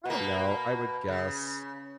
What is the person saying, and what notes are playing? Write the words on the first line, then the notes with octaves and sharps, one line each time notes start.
I don't know, I would guess
B2 A#3
C#3